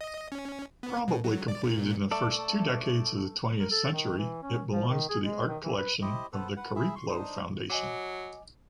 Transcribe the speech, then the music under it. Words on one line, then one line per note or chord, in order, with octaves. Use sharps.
Probably completed in the first two decades of the Twentieth Century, it belongs to the art collection of the Cariplo Foundation.
D#5
C#4
B3
B2
F#3
D5
A#2
A3 A4 D5
A#4
A4
D#3
E3
C#4
F3
D#3
G#4
G#3
D#3
E3
B4
E4 G4 C5 D#5
B3 A4 B4 C5
B4 F#5
E4 G#4 E5
C6 C#6
D4 D#4 C5
F#3 D#5 G#5 D6